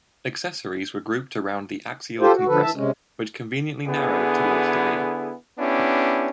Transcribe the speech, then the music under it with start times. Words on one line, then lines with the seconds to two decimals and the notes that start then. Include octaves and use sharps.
Accessories were grouped around the axial compressor which conveniently narrowed towards the rear.
2.20 F4 G4 A4 C5
2.34 F#4
2.47 D3 F3 A4 B4
2.62 E3 E5 A5
2.75 C3 G#3 C#4
3.86 D3 B3 E4 G#4
5.58 B3 C#4 D4 E4 G4